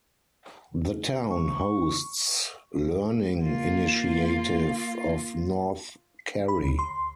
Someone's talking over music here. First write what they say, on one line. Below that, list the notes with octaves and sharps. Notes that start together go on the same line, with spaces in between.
The town hosts Learning Initiative of North Kerry.
C#6
A#3 F4
B5
D2
C6